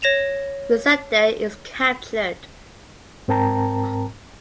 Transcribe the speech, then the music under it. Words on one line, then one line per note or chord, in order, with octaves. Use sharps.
Missandei is captured.
C#5 A#6 E7 F7
G#2 C4 A#4 G5 A5 A#5